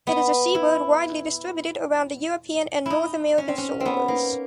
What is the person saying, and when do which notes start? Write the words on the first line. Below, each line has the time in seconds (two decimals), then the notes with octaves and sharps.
It is a seabird widely distributed around the European and North American shores.
0.07 B3
0.55 E4
2.86 D#4 E4
3.38 C#4
3.48 C4
3.58 C#4
3.80 C4
3.85 B3
4.08 A#3